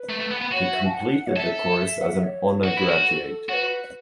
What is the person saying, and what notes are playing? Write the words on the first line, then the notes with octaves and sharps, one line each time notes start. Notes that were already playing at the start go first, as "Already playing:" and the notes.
He completed the course as an Honor Graduate.
Already playing: B4
A3
A3
B3
B3
F#4 C#5
E5
A5
F#5
C#5
A4 E5
E5
F#5
E5
C#5
F#4 B4
E4
F#4
A4
F#4 B4 C#5